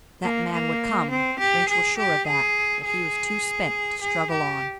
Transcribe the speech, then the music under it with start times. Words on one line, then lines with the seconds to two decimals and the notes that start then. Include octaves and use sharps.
That man would come, Rynch was sure of that, but he was too spent to struggle on.
0.23 A#3
0.52 A#3
1.11 C4
1.39 G4
1.69 G#4
1.98 G4
2.27 G#4
2.85 G#4
4.01 G#4
4.31 G4